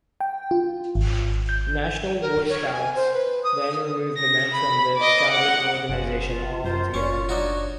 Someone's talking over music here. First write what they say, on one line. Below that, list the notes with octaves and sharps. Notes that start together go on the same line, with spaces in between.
The national Boy Scouts then removed the men from the scouting organization altogether.
G5
F4
G#1
G6
A#4
C#5
G#5
C5
B4
D#6
A#6
B5
D#5 D6
F#5
F#1 C#3 F3
F4
F#2 C#4 F4 A#4 C5
F#1 C#4 C#5
D4 D#4 F#4